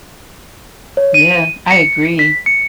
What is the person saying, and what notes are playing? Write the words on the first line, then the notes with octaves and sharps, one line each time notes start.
Yeah. I agree.
C#5
D#7
C#7
B6
C#7